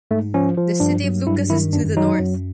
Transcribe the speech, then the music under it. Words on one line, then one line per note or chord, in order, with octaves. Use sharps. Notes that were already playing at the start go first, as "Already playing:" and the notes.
The city of Lucas is to the north.
G#2 A3
F3 C#4
F3
G2 D4
F#3
G2 E4
D#3 E4
F#2 D4
F#3 D#4
F#2